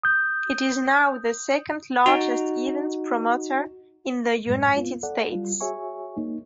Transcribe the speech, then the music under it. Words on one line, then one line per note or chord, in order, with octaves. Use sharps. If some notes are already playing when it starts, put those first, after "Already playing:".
It is now the second-largest event promoter in the United States.
D#6 G6
D#4 F#4
F#2 A2 G#3
B3 C4 F4
A4 D5 F#5
G3 F4
F#4 G#4 C#5 E5 G#5 C#6
A#3 D#4